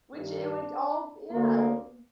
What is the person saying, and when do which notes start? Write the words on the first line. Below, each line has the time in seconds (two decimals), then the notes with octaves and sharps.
Which it would all yeah. It would be
0.13 G2 D#3
0.42 D4
1.31 D2 D3 A#3